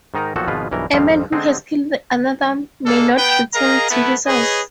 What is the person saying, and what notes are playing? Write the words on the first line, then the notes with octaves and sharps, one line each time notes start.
A man who has killed another may not return to his house.
G#2 D#3 D#4 A#4 A#5
B1 A#2 D#3 F3 F#4 A4
G#1 B2 F3 G#3 F4 B4
B1 G2 E3 A#4
G#1 F2 F3 G3 C4 F5
D3 G#3 C4 D#4 G#4
G#3 A#3 D4 A4
B3 B4 G5
G#4 A#4 D#5 F5 A#5
A3 B3 E4 B4
G#4 B4 C#5 D#5